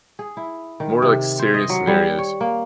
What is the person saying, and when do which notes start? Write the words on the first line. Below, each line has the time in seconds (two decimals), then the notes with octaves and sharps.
more, like, serious scenarios,
0.19 G#4
0.37 E4
0.80 D#3
1.02 C3
1.39 C5
1.54 D#5
1.69 F#3
1.87 G3
2.18 C#5
2.41 A#3